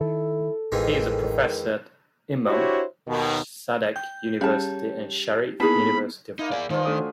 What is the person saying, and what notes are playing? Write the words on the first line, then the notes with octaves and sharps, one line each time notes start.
He is a professor at Imam Sadegh University and Sharif University of Technology.
D#3 E4 A4
A1 F2 D#3 E3 G#3
D4 E4 F#4 G4 C5 C#5
D#2 B2 D#3
G5 G6
G3 C#4 G4 G#4 A#4 C#5 A5
A#3 B3 D#4 E4 G#4 B4 A5 B5
A#3 D#4 E4
G#4 D5 G#5
D#3 F3 F4
A3 D4 D#6
F#3